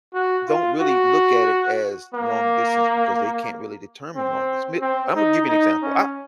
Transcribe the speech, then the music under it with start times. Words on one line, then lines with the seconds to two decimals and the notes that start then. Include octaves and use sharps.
don't really look at it as long distance because they can't really determine long distance. May Imma give you an example: I
0.14 F#4
0.48 F4
0.81 F#4
2.14 A#3
4.16 C4
4.81 C4
5.16 D#4
5.49 D#4
5.82 C#4